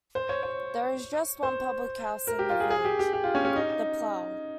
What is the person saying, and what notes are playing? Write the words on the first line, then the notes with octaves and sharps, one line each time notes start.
There is just one public house in the village, the Plough.
C5
C#5
C#5
C5
A#4
G4
F4
G#4
G#4
G4
G4
G4
F4
C#4
C#4
D#4